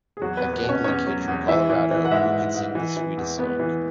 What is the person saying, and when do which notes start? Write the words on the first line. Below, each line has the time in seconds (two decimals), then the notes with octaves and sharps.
A gangly kid from Colorado, who could sing the sweetest song...
0.17 G#4
0.21 E2 F#3 F#4
0.37 B3 B4
0.43 E2
0.53 B3 B4
0.64 B2
0.69 C#4 C#5
0.84 E2 C#4 C#5
1.07 F#3
1.28 E2
1.48 E3 E4 E5
1.70 E3
1.91 E3
2.05 F#5
2.11 G#2 E4 E5
2.32 G#2
2.54 G#2
2.75 E3
2.97 E3
3.17 E2
3.39 E2 B3 B4
3.59 E3